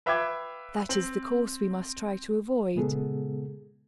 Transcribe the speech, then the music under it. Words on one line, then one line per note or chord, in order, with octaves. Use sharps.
That is the course we must try to avoid.
B4 E5 F5 G5 D6 G#6
C4 F#7
A#2 C#3 G#3 B3 G#4 A4